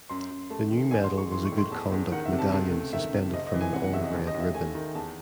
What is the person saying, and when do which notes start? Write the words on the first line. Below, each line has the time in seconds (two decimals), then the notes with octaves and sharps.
The new medal was a Good Conduct medallion suspended from an all red ribbon.
0.09 F#2 C6
0.31 F#2
0.50 A3 A5
0.71 D#3
0.91 A1 G#5
1.04 C6
1.11 G#3
1.18 C#6
1.32 E3 C6
1.45 C#6
1.52 A2
1.58 C6
1.72 E2 A5
1.92 E2
2.12 D#3 F#5
2.25 E5
2.32 C3
2.39 A5
2.52 C#2 A5
2.72 A3
2.93 D#3 E5
3.13 C3
3.33 F#1 D#5
3.47 D#5
3.54 E3
3.61 G#5
3.73 C3 F#5
3.84 F#5
3.93 E2 E5
4.04 D#5
4.14 D#2
4.27 D#5
4.34 D#2
4.40 E5
4.54 A3 G#5
4.75 D#3
4.95 E2 A5